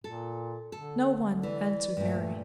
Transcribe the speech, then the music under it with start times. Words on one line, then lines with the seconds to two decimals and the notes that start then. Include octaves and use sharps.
"No one!" answered Mary.
0.04 A#2 A4
0.72 D3 A4
1.43 E3 D5
1.97 G2 A#2 A3